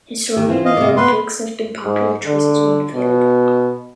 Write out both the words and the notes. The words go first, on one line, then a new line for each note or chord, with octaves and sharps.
Historically, lead bricks have been popular choices when available.
D#3 G4
E3 C4 F4
D#5 F5
C3 D5
A#3 B3 B4 C6
G#2
D3
B2